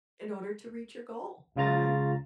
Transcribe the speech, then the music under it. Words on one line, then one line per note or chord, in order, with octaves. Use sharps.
In order to reach your goal, right?
C#2 C#3 F4 A#5 A6